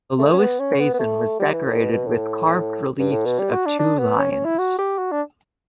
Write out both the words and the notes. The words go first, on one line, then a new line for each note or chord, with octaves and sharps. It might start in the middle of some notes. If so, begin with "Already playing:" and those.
The lowest basin was decorated with carved reliefs of two lions.
A3
C#4
B3
C#4
B3
B3
A3
G3
E3
A2
B2
B2
A2
G2
A2
B2
G3
F#4
D4
D4
B3
C#4
C#4
E4
F#4
G4
F#4
D4